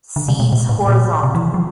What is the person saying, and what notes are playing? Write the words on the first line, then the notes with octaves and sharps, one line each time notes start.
Seeds horizontal.
D3
C3
B2
A#2
A2
A#2
C3
E3
E3
F3